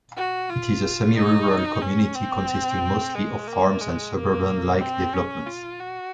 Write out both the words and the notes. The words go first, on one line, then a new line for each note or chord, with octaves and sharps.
It is a semi-rural community consisting mostly of farms and suburban-like developments.
F#4
F4
D#4
C#4
C4
G#3
A#3
G#3
A#3
C4
C#4
F4
F#4